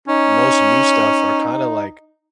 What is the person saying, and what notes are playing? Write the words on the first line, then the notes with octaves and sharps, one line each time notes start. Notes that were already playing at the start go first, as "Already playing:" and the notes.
most new stuff are kinda, like
C#4 D#4